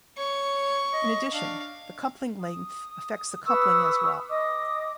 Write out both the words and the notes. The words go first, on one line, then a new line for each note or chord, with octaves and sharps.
In addition, the coupling length affects the coupling as well.
C#5 C#6
D#5
D4 F5
D#6
B4 C#6 D#6 E6
D#5 D6 D#6